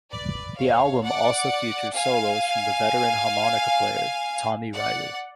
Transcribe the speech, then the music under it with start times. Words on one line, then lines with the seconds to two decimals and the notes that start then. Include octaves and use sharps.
The album also features solos from the veteran harmonica player Tommy Reilly.
0.11 B4 D5
0.57 C#5 F5
1.03 D5 F#5
1.95 F5 G#5
4.73 D5 F#5